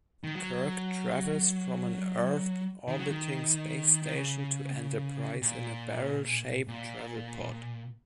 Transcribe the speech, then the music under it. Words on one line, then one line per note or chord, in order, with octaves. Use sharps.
Kirk travels from an Earth-orbiting Space station to "Enterprise" in a barrel-shaped "travel pod".
D#3
F#3
D#3
F#3
D#3
D#3
C#3
A#2
A#2